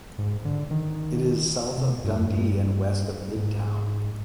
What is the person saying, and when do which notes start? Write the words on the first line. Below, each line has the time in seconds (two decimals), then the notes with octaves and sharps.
It is south of Dundee and west of Midtown.
0.19 G#2
0.45 D3
0.71 D#3
1.78 C3
1.90 B2
2.04 G2
2.17 F2
2.30 G2
3.36 G#2